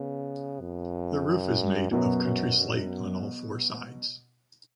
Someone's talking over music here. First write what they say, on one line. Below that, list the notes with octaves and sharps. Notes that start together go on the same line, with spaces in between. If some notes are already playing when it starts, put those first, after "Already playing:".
The roof is made of country slate on all four sides.
Already playing: C#3 B3
F2
F#2
F#2 B2 F#3 B3
F#2
F#2